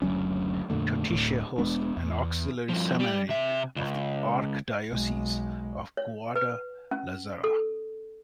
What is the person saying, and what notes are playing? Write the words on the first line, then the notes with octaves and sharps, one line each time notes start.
Totatiche hosts an auxiliary seminary of the Archdiocese of Guadalajara.
F#1 D2 F#3 C#4
F2 A#2 D3 A3
D1 A2
E1 G#3 B3 D4
E2
G2 F3
G3 G4
C3 E5
C#2
B1 G#3
C#5
B4
C#4
A4